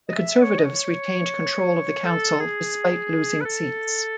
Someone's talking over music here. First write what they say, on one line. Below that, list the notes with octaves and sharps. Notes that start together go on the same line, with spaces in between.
The Conservatives retained control of the council despite losing seats.
D#5
E5
C#5
D#5
C#5
A4
G#4
B4
A4